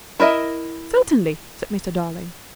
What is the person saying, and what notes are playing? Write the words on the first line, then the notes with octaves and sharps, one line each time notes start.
"Certainly," said Mr. Darling.
E4 A#4 D#5 E5